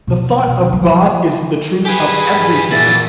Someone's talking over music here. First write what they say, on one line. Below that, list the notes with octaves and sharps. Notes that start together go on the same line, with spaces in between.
The thought of God is the truth of everything.
B2
E1
F#3
F3
G4 G#4 B4 G#5 B6
A#2 E3 E4 F#4 A6